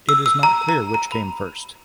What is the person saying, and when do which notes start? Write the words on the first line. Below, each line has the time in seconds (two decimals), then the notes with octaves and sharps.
It is not clear which came first.
0.09 E6
0.26 E6
0.43 A#5
0.69 A#5
0.94 A#5
1.12 B5